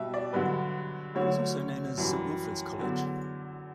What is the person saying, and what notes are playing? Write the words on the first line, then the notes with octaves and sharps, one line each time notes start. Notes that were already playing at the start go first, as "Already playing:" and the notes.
It was also known as "Saint Wilfrid's College".
Already playing: B2 G3 E5
D5
G2 D3 F#3 B4
D2 D3 F#3 C#5
F#2 E3 G3
E2 D3 F#3